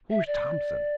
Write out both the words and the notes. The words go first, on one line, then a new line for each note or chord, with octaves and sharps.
"Who's Thompson?"
E5
D5